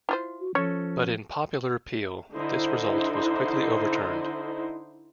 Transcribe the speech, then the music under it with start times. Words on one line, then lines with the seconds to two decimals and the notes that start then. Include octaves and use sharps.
But in popular appeal, this result was quickly overturned.
0.09 E4 F4 C5
0.40 F#4
0.55 F3 C#4 A4 C#5
2.36 D3 D#4 E4 C5